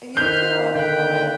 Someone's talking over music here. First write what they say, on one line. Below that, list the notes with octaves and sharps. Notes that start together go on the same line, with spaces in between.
You too, love. Bye-bye.
D#3 B4 C5 F6 G6
D3 B4 G5